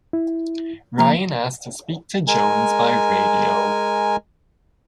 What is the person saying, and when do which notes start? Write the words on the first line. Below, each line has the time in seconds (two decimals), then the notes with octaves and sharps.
Ryan asked to speak to Jones by radio.
0.13 E4
0.98 F3 A#3 A#5
2.28 G#3 A#4 G#5